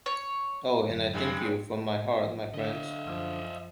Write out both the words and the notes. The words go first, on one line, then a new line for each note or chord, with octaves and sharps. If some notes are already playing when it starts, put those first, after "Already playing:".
Oh, and I thank you from my heart, my friends.
C#5
F#2 D3 F#3
G2 G3 G#3
B4 C#5 G5
D3 D#5 E5
F#2 F3